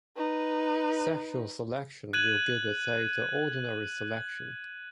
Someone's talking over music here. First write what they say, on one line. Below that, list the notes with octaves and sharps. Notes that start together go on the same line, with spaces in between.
Sexual selection will give its aid to ordinary selection.
D#4 B4
F#6 G#6 D#7 F#7